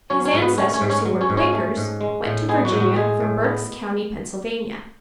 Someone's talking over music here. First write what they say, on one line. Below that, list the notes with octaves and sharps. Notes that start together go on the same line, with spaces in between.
His ancestors, who were Quakers, went to Virginia from Berks County, Pennsylvania.
F#3 C#4 C#5
C#4 C#5
G#2
B3 B4
A3 C#4 C#5
C#4 C#5
G#2
C#4 C#5
F#3
C#4 C#5
G#2
C#4 C#5
A3
G#2
G#3
A2
G#3 B3 G#4
F#3 F#4
A2
F#3 F#4
G#3 G#4
A2
B3